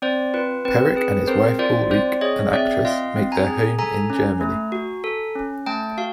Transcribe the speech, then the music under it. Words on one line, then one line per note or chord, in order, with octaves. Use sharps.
Perick and his wife Ulrike, an actress, make their home in Germany.
C4 C5 D5
F4 B4
C4 B4
G#4 B4
C4 A#4 C5
F4 C5 D5
C4 C5 D5
G#4 C#5 D#5
C4 D5 E5
F4 D#5 F5
C4
G#5 A#5
G#4
A4 G#5 A#5
C#4
A3
F#4
A4
C#4
A3 G5 A5
F#4 F5